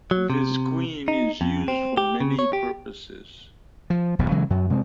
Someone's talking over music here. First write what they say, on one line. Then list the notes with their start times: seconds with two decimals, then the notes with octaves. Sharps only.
Visqueen is used for many purposes.
0.11 F#3
0.30 C3
1.08 D#4
1.41 F2
1.68 C4
1.97 G4
2.20 C#3
2.39 C#5
2.53 G4
3.90 F3
4.19 D#1 B1 E2 A#2
4.31 C#3 E3 F#3 G#3
4.50 F#2 F#3
4.70 C3 G#3 A3 C4